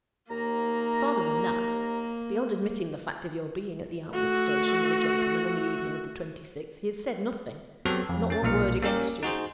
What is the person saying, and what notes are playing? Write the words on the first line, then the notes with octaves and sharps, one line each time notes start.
Farther than that--beyond admitting the fact of your being at the Outwood station with a gentleman, on the evening of the twenty-sixth--he has said nothing--not one word against you.
D#2 A#3 A#5
A3 F#4
F#3 B3 C4 F#4 G4 A4
F2
C#4 A6
B1 A#2 A#3 F6 C#7
A#3 C#4 G4 A#4
D#4 F#4 G#4 C5